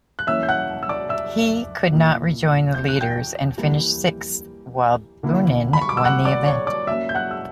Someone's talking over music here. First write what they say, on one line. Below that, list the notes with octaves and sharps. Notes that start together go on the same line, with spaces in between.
He could not rejoin the leaders and finished sixth, while Boonen won the event.
F#6
E3 A#3 C#4 E5 E6
G6
F#5 F#6
E6
D5 D6
E5 E6
A#2 A#3 E4
G6
F#6
G5 G6
E3 G3 A#3 E4
D3 A#3 E4
B5
C#6
D6
E6
F#5 F#6
D5 D6
C#5 C#6
D5 D6
F#3 A#3 C#4 E5 E6
G6
F#5 F#6
E6